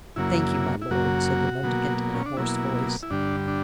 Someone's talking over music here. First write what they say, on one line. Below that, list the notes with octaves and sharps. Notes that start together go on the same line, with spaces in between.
"Thank you, my lord," said the mendicant in a hoarse voice.
F#2 C#3 F#3 A#3 E4
E4
F#2 C#3 F#3 A#3 F#4
B2 F#3 A#3
C#4
D4
B2 F#3 A#3 E4
E4
G2 D3 G3 D4
D4